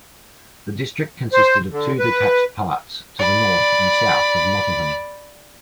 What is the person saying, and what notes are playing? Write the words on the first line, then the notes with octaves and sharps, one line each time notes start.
The district consisted of two detached parts, to the north and south of Nottingham.
C5
D3
B4
D5 B5